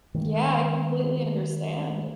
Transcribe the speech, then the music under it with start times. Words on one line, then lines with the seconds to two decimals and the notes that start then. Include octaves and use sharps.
Yeah, I completely understand.
0.14 D#3 G#3 A#3